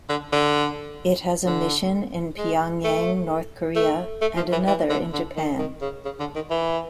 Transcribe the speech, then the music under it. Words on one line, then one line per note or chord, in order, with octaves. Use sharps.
It has a mission in Pyongyang, North Korea and another in Japan.
D3
D3
D3
G#3
A3
A3
A3
F3
E3
E3
D3
D3
D#3
D#3
C#3
C#3
D3
D#3
E3